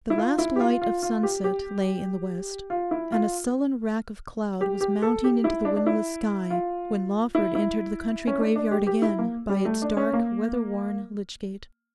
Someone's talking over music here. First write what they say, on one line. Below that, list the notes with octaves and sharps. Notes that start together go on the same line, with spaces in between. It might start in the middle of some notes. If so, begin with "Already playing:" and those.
The last light of sunset lay in the west; and a sullen wrack of cloud was mounting into the windless sky when Lawford entered the country graveyard again by its dark weather-worn lych-gate.
E4
F4
E4
G4
F4
F4
F4
G4
G4
F4
E4
F4
G4
G4
A4
G4
E4
D4
D4
E4
F4
E4
E4
C#4
D4
D4
G4
G4
E4
A#3
G3
A3
D4
C#4
A#3